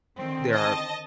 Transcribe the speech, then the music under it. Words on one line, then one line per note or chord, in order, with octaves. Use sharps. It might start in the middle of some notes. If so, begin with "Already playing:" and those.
there are
D3 D#3 C4
D#5 A5